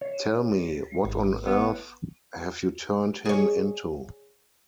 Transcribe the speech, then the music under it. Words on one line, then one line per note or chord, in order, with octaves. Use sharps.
Tell me, what on earth have you turned him into?
C#5
G#1
B3
G#4 C#5